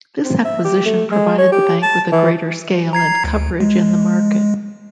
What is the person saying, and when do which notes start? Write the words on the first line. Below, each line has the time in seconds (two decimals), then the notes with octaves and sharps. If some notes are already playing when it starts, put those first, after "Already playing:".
This acquisition provided the Bank with a greater scale and coverage in the market.
0.24 C4
0.45 E5
0.64 G4
0.85 A3
1.11 G#3
1.38 C#5
1.52 G4
1.82 A5
2.12 E3
2.93 A#5 G#6 C7
3.24 D2
3.60 G#3